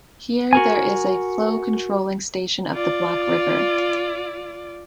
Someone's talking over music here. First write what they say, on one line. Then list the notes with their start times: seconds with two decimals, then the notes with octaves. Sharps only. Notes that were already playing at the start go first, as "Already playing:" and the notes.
Here there is a flow controlling station of the Black river.
0.53 F#4 A#4 G#5
2.73 F4 D5